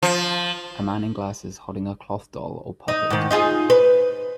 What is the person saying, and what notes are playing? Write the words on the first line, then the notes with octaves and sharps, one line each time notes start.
A man in glasses holding a cloth doll or puppet.
F3
D#4
G#2 D#3
D#4 F4 G#4
B4